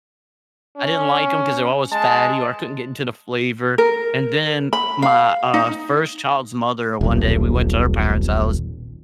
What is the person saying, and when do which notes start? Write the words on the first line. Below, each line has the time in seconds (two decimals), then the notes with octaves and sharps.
I didn't like 'em 'cause they're always fatty or I couldn't get into the flavor, and then my, uh, first child's mother, one day, we went to her parents' house,
0.77 C#4
1.92 G#3 A5
3.78 A#4
4.73 B5
5.02 F5
5.54 D#4
7.01 D#1 B1